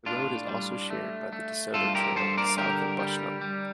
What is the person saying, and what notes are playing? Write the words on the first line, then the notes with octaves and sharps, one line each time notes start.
The road is also shared by the DeSoto Trail south of Bushnell.
A2 D4 F4
G3
A3
A3
G2 F4 A4
G4 A#4
G2 A4 C5
A#4 D5
D3 G4 A#4
G3
G3